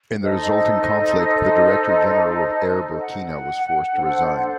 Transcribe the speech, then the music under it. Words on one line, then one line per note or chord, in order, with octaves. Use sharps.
In the resulting conflict, the director-general of Air Burkina was forced to resign.
D#4 A4 C5 D#5
D#5
F#5
D4 A4 C5